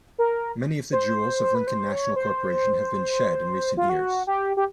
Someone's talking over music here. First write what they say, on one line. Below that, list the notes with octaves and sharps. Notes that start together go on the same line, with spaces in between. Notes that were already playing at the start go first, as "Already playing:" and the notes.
Many of the jewels of Lincoln National Corporation have been shed in recent years.
A#4
C5
B4
C5
C#5
C5
F4
F#4
G4
G4